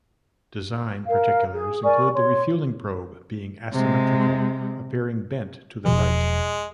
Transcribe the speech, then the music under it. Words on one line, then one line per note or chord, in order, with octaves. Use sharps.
Design particulars include the refueling probe being asymmetrical, appearing bent to the right.
A#4 F5
G#4
A#4 D5 G#5 C#6
C#5 C6
C3 G#3
E1 B2 F3 G#3